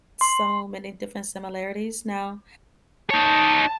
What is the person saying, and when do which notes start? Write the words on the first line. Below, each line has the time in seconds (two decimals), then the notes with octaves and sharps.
so many different similarities now.
0.21 C6
3.10 D#4 C#5 A5